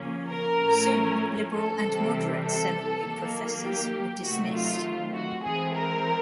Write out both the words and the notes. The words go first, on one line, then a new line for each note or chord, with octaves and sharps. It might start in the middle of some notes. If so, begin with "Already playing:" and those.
Soon liberal and moderate seminary professors were dismissed.
Already playing: C#3 F3 A#3 C#4
A#4
A2 F3 A3 C#4
A4
C3 E3 G3
A4
D#3 F#3 A#3
G4
C3 D#3 F#3 A3 F#4
F4
F#4
E3 G#3 C4 G#4
A#4